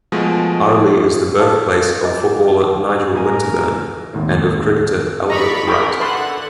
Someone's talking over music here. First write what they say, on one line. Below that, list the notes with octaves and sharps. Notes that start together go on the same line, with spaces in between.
Arley is the birthplace of footballer Nigel Winterburn and of cricketer Albert Wright.
B2 F3 G#3 A3
A4 B4 D#5 F5 A5
F4 G#4 D#5
B1 A2 A#4 G#5
G#1 D#2 A2
D5 D#5 A#5 B5 C#6
G#4 A#4 G5 B5
D3 B4 F#5 A5 C6